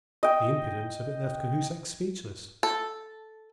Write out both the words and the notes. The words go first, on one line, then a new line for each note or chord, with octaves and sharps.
The impudence of it left Cahusac speechless.
D#5 G5
A4